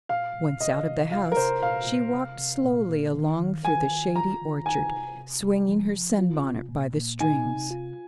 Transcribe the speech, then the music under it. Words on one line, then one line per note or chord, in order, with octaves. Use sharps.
Once out of the house, she walked slowly along through the shady orchard, swinging her sunbonnet by the strings.
A#2 F5
A#2
C3 D#5
C3
F4 F5
A#4
C3 C5
A#2 F5
A#2
C3
C3
A#2
A#2
D#3
D#3
D#3 G#5
D#3
F4 A#5
D#3
D#4 G#5
C3
C3
C3
F3
F3
F4
C3
A#2
A#2
D#4 G#5
C3
F4